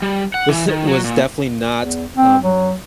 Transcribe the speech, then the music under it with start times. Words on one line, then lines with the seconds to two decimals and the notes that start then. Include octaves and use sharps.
was was definitely not, um,
0.02 G3
0.34 F#5
0.49 E3
0.68 D#3
0.87 F#3
1.04 A#2
1.76 E2
2.17 C4
2.42 F#3